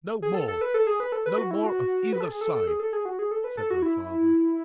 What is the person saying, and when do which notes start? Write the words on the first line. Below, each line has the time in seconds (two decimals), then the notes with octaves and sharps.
No more!--No more of either side, said my father.
0.22 G#4
0.34 A4
0.48 A4
0.61 B4
0.74 A4
0.87 G#4
1.00 B4
1.12 A4
1.26 B4
1.38 F#4
1.51 E4
1.64 F#4
2.13 B4
2.21 A4
2.28 G#4
2.41 A4
2.55 A4
2.67 G#4
2.80 A4
2.93 G#4
3.05 F#4
3.19 G#4
3.31 A4
3.44 B4
3.57 A4
3.70 F#4
3.82 E4